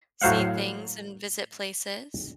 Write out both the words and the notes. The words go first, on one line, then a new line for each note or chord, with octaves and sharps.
see things and visit places.
A2 F#3 C5 F5 F#5